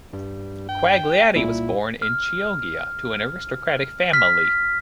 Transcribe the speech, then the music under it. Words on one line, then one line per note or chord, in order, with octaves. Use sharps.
Quagliati was born in Chioggia to an aristocratic family.
G2 G3
G5
C2 A#2 E4
F6
F6 B6